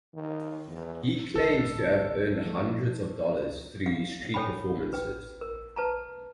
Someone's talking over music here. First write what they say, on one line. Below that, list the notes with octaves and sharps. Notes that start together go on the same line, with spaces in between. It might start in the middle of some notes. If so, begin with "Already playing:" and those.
He claims to have earned hundreds of dollars through his street performances.
D#3
E2
A1 D2 D3 A4
F3 A3
F5
A4 C#5 G5 G#5 B5
B4 G5
A#4
B4 A5 A#5